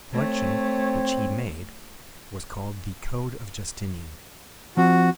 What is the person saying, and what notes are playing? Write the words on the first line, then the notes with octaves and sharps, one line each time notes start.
The collection which he made was called the CODE OF JUSTINIAN.
A3 C4 C#5
F3 C4 F#4